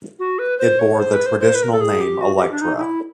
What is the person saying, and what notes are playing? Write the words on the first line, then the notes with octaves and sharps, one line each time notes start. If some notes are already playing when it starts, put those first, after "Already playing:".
It bore the traditional name "Electra".
F#4
B4
C5
C#5
C5
B4
C5
C5
B4
A#4
A4
G#4
G4
F#4
F#4
G4
D4
D#4
D#4
E4